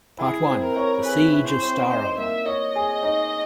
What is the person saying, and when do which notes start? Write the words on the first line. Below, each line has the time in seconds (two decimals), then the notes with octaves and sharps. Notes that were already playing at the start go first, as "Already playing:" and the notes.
Part One", "The Siege of Starro!
0.19 E4 G#4
0.47 C4
0.62 A#4
0.76 C#5
1.05 G#4 B4
1.32 E4
1.47 C5
1.62 C4
1.89 D#4 C5
2.18 A#3 E5
2.46 C#5 D#5
2.76 G#4
3.03 D#4